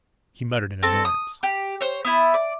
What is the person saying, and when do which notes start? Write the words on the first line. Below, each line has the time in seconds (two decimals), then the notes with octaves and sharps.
He muttered in annoyance.
0.82 C4 A4 A5
1.05 D#6
1.43 G4
1.81 C5 C#5
2.05 B3 E4
2.34 D5